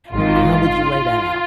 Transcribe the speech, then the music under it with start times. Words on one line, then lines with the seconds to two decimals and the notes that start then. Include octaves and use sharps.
H how would you lay that out?
0.13 G#1 G#2 D#3 F4